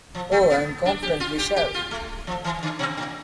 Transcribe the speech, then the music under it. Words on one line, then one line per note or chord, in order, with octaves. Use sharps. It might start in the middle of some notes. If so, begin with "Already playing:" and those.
Oh, I am confident we shall.
F3
A3
B3
D4
G4
F4
G4
G4
F4
A3
F3
E3
D3
B2
A2